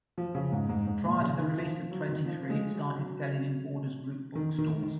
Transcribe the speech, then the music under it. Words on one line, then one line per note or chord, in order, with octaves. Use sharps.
Prior to the release of twenty-three it started selling in Borders Group book stores.
F3
C#3
G#2
G#2
G#2
A#2
C#3
D#3
F3
F#3
D#3
F3
G#3
F#3
F#3
D#3
D#3
D#3